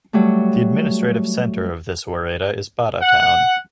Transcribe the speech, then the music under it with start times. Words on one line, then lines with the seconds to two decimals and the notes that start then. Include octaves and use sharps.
The administrative center of this woreda is Bada Town.
0.13 F#3 G3 A3
3.02 F#5